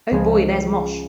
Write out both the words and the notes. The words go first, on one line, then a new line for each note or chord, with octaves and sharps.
Oh boy, there's 'Mosh'.
C#2 C#3 F3 G#3 C#4